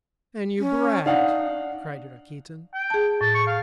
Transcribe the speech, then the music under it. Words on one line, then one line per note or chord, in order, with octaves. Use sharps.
"And you bragged!" cried Rakitin.
C#4
D4 D#4 F5 F#5
G5
G#4 A5
A2 A5
C#6
F5